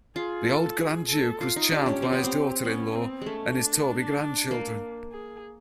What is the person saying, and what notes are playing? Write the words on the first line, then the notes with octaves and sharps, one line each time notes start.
The old grand duke was charmed by his daughter-in-law and his Torby grandchildren.
F4 G#4
A4
G#4
A4
F4
D#4
D4 G4
C#4
C4
B3
C4
B3 C#4
C4
G#3 A3 C#4
D4
A#3
G#4